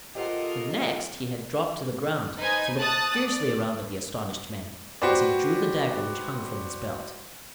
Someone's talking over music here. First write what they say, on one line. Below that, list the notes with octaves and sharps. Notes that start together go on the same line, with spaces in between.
The next he had dropped to the ground, to look fiercely round at the astonished men, as he drew the dagger which hung from his belt.
F4 G4 A4 A#4 C5 D#5 F#5
D#4 B4 C5 G#5 G#6
A5 D#6 F#6 A6
D5
F#4 G4 B4 C5 D5